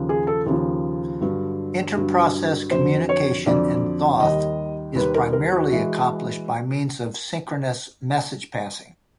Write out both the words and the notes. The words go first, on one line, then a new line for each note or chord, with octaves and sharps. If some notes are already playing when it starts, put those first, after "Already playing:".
Inter Process Communication in Thoth is primarily accomplished by means of synchronous message passing.
Already playing: D#2 C#3 F3
G#4
A4
D#2 C#3 F3
G2 D3 F#3
G2 D3 F#3
F2 D3 F#3 C5
C#5
F2 D3 F#3 D5
D#2 D#3 G3 D#5
D#2 D#3 G3 B4
A#4
A#4
F#4
E3 G#3